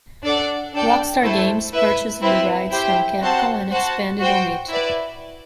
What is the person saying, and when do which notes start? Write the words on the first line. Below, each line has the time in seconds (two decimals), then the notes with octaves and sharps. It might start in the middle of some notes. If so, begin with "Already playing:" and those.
Rockstar Games purchased the rights from Capcom and expanded on it.
0.24 D4 A4 D5 F#5
0.73 D4 A4 D5 G5
1.22 A3 E4 A4 C5
1.73 E4 B4 E5
2.22 C4 E4 B4
2.71 E4 G4 C5 G5
3.21 C4 F#4 C5 F#5 A5
3.71 F#4 C5 F#5 A5
4.20 F#4 C5 G5
4.70 E4 B4 D5